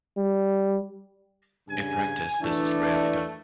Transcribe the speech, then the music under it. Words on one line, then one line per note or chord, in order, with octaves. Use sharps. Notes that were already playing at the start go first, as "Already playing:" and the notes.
In practice, this is rarely done.
G3
G2 C#3 G#5
E3 A3 D4